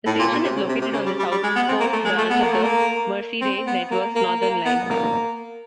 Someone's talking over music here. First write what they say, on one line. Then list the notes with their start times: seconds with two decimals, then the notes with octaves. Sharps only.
The station is located on the Southport branch of the Merseyrail network's Northern Line.
0.06 A2
0.19 A#2
0.32 B2
0.44 C3
0.56 C#3
0.69 C3
0.81 C3
0.93 C#3
1.06 G3
1.19 G3
1.31 G3
1.43 G#3
1.56 B3
1.68 C4
1.80 A#3
1.93 A3
2.05 G#3
2.18 A3
2.30 B3
2.41 A#3
2.52 A3
2.63 A#3
3.41 C4
3.67 B3
3.91 A#3
4.15 A#3
4.41 A#3
4.65 B3
4.90 A#3